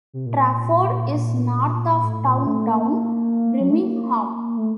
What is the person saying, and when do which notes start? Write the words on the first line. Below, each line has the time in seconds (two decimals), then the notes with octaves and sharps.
Trafford is north of downtown Birmingham.
0.13 C3
0.26 A#2
1.14 A#2
2.03 A2
2.24 A#2
2.47 A3
2.69 A#3
2.91 A#3
3.61 F#3
3.70 A3
3.79 A#3
4.57 A3